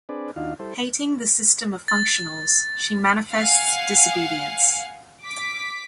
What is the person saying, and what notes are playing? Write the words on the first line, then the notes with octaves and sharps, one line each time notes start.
Hating the system of functionals, she manifests disobedience.
C4 D4 G#4 B4 D5
D#2 D4 D#4 F4 F#4 F5
G3 E4 A4 C5
A6
F5 F#5 G#5
D6 B6